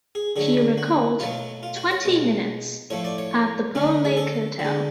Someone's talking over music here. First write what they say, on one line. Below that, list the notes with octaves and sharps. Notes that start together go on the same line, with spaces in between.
He recalled: Twenty minutes, at the Pearl Lake Hotel.
G#4
D3 F#3 A3 G#4
F#4
B2 F#3 A3 F4
F4
F#4
C#5
B2 G#3
A2 F3 A3 C#5
D5
C#5
D3 F#3 A3
G#4
A4
D3
G#3